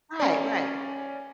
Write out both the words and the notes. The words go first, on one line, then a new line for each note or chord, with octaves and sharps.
Right, right.
C#4 D5